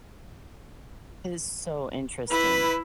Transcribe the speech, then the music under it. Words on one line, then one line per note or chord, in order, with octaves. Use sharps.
It is so interesting.
E4 B4